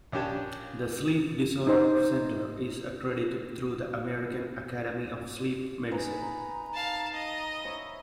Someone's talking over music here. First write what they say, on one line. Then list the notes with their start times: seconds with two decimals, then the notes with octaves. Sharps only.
The sleep disorder center is accredited through the American Academy of Sleep Medicine.
0.12 A#1 C#4 D4 G4 C#5 A5
1.67 D#4 C5
5.91 D#4 B4 G#5
6.22 A#5
6.73 F5 A5
7.13 D#5
7.65 C#5 E5